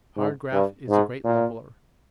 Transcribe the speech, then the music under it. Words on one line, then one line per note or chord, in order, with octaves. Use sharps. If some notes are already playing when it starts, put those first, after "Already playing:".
Hard graft is a great leveller.
G#2
G2
G#2
A#2